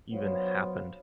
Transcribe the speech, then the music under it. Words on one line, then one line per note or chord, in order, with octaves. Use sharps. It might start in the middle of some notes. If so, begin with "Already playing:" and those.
even happened.
F#3 B3 D4 F4 C5 C#5